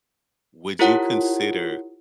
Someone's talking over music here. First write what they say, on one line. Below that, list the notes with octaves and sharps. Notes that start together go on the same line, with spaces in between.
would you consider
E4 F4 G4 A#4 C#5 F#5